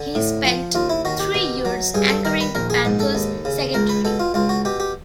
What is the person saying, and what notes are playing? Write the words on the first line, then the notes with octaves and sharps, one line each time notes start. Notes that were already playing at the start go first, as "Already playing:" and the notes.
He spent three years anchoring the Panthers' secondary.
Already playing: D3
A2
F3
D#2 F4
E4
D#3 F#4
G4
B2
F#3
G2 G#4
A4
D#3 A#4
B4
A#1 A#4
G#4
G#2
A4
D#2
C#3
C#2 A#4
B4
B2 A4
F4
C#2 F4
F#4
B2 G4
G4